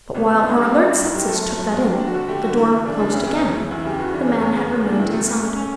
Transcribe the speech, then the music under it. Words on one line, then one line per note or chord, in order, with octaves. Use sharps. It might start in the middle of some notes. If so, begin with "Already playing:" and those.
But while her alert senses took that in, the door closed again--the man had remained inside.
A1 B3
A2 B3
B3 D4
G3 B3
A2 C#4
G3 D4
G1 E4
F#3 G4
A3 A4
A3
F#3
G1
D4 G4
D4
F#4
D3
A3 G4
D3 F#4
A3 E4
E3 E4
C#3 D4
C#3 D4
D2 C#4
D2 B3
E3 C#4
E3 E4
E2 E4
C#3 G4
E3 F#4
E3 D4
C#3 C#4
E2 C#4
B3
C#3
B3
C#3 C#4
E1 D4
E2 E4
C#3 A3
B1
C#4
C#4